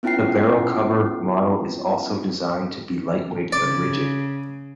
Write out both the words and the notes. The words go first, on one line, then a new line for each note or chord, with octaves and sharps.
The barrel cover model is also designed to be lightweight but rigid.
B3 C#4 E4 F4 G5 C7
C#3 D5